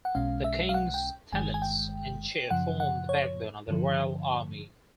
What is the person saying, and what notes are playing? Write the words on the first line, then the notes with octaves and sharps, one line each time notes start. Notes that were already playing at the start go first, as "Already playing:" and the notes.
The king's tenants-in-chief formed the backbone of the royal army.
F#5
B1 B2 G#3 C#4 F5
E5
F5
F#5
G5
G1 G2 D#3 G#3 G#5
G#5
G5
F#2 C#3 F3 F#5
F#5
C#5
G2 D3 F3